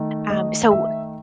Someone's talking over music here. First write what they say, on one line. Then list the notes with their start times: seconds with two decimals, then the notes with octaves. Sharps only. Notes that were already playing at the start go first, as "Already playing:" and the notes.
um so,
Already playing: D#3 A3
0.30 D#3 A3 D#5
0.71 E5